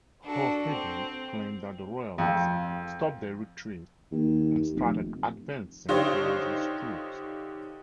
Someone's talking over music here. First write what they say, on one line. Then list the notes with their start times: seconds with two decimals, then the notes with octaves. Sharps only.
O'Higgins claimed that the royalists stopped their retreat and started advancing towards his troops.
0.24 D4 F#4 A4
0.70 C4
2.18 F2
4.12 D#2
4.74 F1
5.89 D3 D#4 F4 G4 C5 C#5